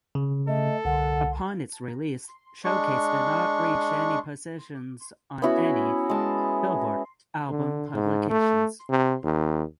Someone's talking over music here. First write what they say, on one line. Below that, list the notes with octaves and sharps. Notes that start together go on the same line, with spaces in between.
Upon its release "Showcase" did not reach positions on any "Billboard" album publications.
C#3
A3 A4 D#5
C2 D3 F#5
G#3 D4 C#6
B3 C#4 E4 F#4
G#3 A5
D3
G#2
A3
C3
D#2